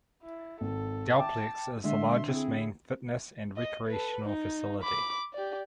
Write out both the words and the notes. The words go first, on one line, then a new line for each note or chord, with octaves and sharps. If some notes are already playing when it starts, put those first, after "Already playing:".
Dalplex is the largest main fitness and recreational facility.
E4
G#1 A4
E5 G5 A5 D6
D3 G#3 E5 C6
C4 E4 G#4
D#5
A4 B4
D#4
B5 D6
G4 D5